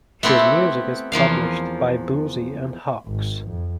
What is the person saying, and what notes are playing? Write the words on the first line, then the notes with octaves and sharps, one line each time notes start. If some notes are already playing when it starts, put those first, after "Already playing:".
His music is published by Boosey and Hawkes.
A3 B3 C4 E4 G4 A4
E2 F3 A#3 F5
G#1
F2